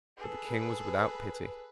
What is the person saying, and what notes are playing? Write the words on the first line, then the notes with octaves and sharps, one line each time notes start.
But the King was without pity.
G#4 A4 B4